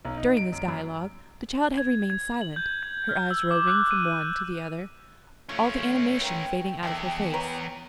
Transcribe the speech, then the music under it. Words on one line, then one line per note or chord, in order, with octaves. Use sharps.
During this dialogue the child had remained silent, her eyes roving from one to the other, all the animation fading out of her face.
B1
D#4
D7
F#2
F#2
G#6
G#6
F#7
G6
G#6
F6
E6
D6
F#6
D#7
A3 C#4 F4
A#3 B3 G5
E2 D#3 G#3 A4
B4 C#5 A#5